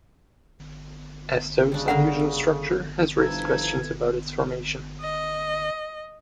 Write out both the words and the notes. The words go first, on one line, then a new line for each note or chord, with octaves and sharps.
Astove's unusual structure has raised questions about its formation.
C#3 G3 D4
D3 A#4 F5 F#5
G2 F3 D#4 E4 A4 B4 G#6
D#5